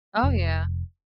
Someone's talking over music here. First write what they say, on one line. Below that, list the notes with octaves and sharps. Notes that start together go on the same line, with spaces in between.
Oh, yeah.
F1